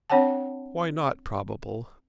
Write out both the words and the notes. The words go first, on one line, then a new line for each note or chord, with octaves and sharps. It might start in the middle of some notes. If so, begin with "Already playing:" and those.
"Why not probable?"
C4 D4 C#5 F#5 G5 A5